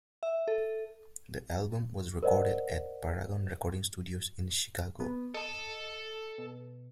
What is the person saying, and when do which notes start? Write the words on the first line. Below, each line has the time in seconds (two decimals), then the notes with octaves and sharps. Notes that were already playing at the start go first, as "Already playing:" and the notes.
The album was recorded at Paragon Recording Studios in Chicago.
0.23 E5
0.48 A4
2.23 A#4 C5 D5 D#5 F#5
5.00 B3
5.34 A4 D#5 A5
6.38 B2